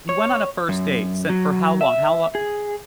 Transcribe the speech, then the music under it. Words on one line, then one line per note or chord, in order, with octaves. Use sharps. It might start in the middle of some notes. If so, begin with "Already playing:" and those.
you went on a first date sent for how long? How lon
C#5
F#2
F#3
E5
G#4